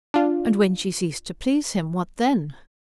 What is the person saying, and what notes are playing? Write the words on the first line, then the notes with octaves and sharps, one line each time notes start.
And when she ceased to please him, what then?
D4 F4